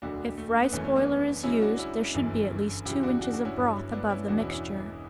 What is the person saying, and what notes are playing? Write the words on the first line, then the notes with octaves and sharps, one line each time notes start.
If rice boiler is used there should be at least two inches of broth above the mixture.
E1 D2 D3 F#3 D4 F#4
A3
B3
F#1 F#2 E3 A3 C#4
A3 C#4
B3 D4
C#2 C#3 F#3 C#4 E4
D4 F#4
C#4 E4
G1 F#2 E3
E2 C#3 F#3 E4 G4
D4 F#4
D4 F#4
D4 F#4
C#4 E4
G1 G2 F#3
B3 D4
C#4 E4
E1 E2 B2 D4 F#4
C#4 E4
C#4 E4